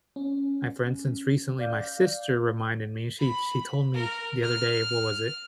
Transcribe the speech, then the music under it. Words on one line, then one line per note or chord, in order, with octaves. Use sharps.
I for instance, recently my sister reminded me, she she told me the other day what was it?
C#4
D5 F5 G6
B5
A#4
F6